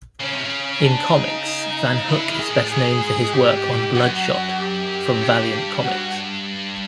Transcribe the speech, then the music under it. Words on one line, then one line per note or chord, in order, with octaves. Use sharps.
In comics, VanHook is best known for his work on "Bloodshot" from Valiant Comics.
C#3 C#4
C3
C#3
D4
D#4
D#4
D3 E4
D#3
G#4
A2
G#2 G#4
G4
F#2 F#4
G4
G2
F#4